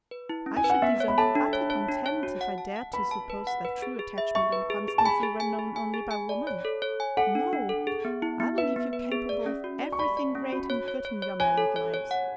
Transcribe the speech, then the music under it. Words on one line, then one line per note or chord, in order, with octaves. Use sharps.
I should deserve utter contempt if I dared to suppose that true attachment and constancy were known only by woman. No, I believe you capable of everything great and good in your married lives.
B4
E4
C#4
G#5
B4
F#5
B3 E5
C#5
B5
A4 A5
D4
C#5
C#5
D4
C#5
F#4
F#5
A5
F#5
B4 B5
A5
B4
F#5
B4
G#4
G#4
E5
E5 C#6
B4
G#4
G#4
A5
G#5 B5
G#4
G#5
G#4
G#5
G#4
G#5
D5
C#5
A4
C#5
G#5
A4 F#5
D4
D4
A4
G#4
B3
E4
B3
B4 E5
B3
B4
G#4
D5
C#4
F#4
D5
C#6
D5 B5
D5
C#4
F#4
C#5
C#5
C#5
C#5
C#5 G#5
A4
C#5
C#5
F#5